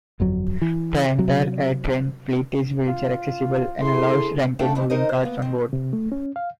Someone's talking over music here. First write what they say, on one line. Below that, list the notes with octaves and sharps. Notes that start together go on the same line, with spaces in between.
The entire AirTrain fleet is wheelchair accessible and allows rented moving carts on board.
G1 F2 F#3
E3
C3 F#3
F4
A3 E4 G#4 A4 C6
A3 D4 A4 F5 G5
C3 D#3 E3 A3 E4
D#4 A#4 C5 D#5
C5
A#3 B3
D#3 C4
C3
A3
C#4
F5